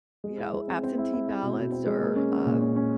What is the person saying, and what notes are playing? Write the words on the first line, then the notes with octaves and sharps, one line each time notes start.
you know, absentee ballots or, uh,
G#3
E4
G#3
C4
C4
E4
E4
E4
B2
B2
C4
G#3
A#3
C#4
C#4
A#2
C#4
C#4